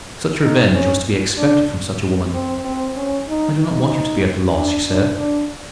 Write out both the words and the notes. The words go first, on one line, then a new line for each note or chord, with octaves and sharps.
Such revenge was to be expected from such a woman "I do not want you to be at a loss," she said.
D#4
C#4
D4
C4
C4
C#4
D#4
D#4
D4
D4
D4